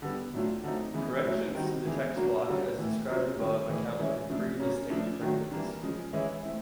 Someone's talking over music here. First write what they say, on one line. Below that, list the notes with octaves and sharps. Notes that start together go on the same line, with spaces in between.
Corrections to the text block as described above account for three distinct printings.
D3 G3 B3
A2 F#3 A3 D4 F4
D3 F#3 A3 C4 D#4
C#3 E3 G#3 B3
A#2 F#3 A3 C#4 E4
D#3 G3 C4 D#4 F#4
E3 G#3 B3 D4
F#3 A#3 D4 F#4
D3 G3 A#3 C#4 F#4
A2 E3 A3
F#3 A#3 C#4 F4
D#3 G#3 C#4 F#4
A2 E3 G#3
E3 G#3 C#4 E4
C#3 F3 A3 D4
C#3 F#3 A#3 C#4
C#3 F3 A3 D4
D#3 F#3 A3 D4 F#4
E3 G3 A#3 D4
C#3 F3 G#3
E3 G#3 C#4 E4
A3 C4 E4